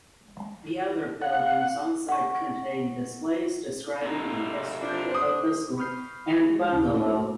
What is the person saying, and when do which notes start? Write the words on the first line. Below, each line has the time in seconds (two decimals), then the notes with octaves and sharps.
The other buildings onsite contain displays describing the history of the school and bungalow.
1.22 F5 F#5
2.09 F#5 C#6
4.02 C3 D#4
4.79 D4
5.11 C5 D#6
5.77 B5 C#6 D#6 F6 G6 C7
6.50 G#3 F#4
6.70 D#2 C#3 C#4 F5
6.94 A3 A#3 D4 D#4 F#4 C5